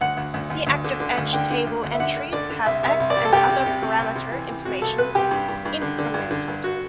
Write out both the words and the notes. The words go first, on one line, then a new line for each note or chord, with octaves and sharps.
The active edge table entries have X and other parameter information incremented.
D2 F#5
D2
D2
D2
D2
D3
D3
D2
D3 G5
D3
D2
D2
E5
D3 F#5
D3
D3 D5
D3
C2 E5
C2
E5
C2
D5
C2
A4
C2 G4
C3
C3
C3
C2
C3
E3
E3
C3 F#4
C2 A4
C2 B4
C2 G4
G2
G2
G2
D3
D3
G2
D3
G2
F#4